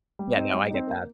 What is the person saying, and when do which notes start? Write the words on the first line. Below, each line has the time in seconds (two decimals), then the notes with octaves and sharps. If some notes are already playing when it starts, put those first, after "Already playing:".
Yeah, no, I get that.
0.19 G3
0.35 C4 D#4
0.53 G3
0.70 C4 D#4
0.87 A#3